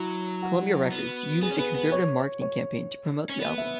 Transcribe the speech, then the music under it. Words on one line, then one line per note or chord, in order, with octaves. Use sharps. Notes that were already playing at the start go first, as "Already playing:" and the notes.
Columbia Records used a conservative marketing campaign to promote the album.
Already playing: F#3 E4
F#4
B3
B3 G#4
C#4
B3 B4
B3 B4
C#5
C#5
C#4
B3
E5